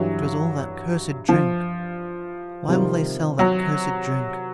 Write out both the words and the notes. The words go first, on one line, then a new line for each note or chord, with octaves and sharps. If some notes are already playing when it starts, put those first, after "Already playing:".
It was all that cursed drink; why will they sell that cursed drink?
Already playing: G2 E3 F#3 G3
F3
C3 D#3 G3 C4 F4
F#3